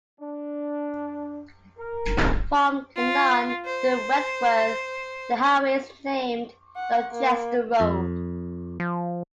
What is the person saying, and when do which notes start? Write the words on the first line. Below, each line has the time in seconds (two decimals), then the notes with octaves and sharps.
From Canaan to Wentworth, the highway is named Dorchester Road.
0.20 D4
1.78 A#4
2.96 F4
3.65 C5
6.76 F#5
7.11 A#3
7.80 F2
8.80 F3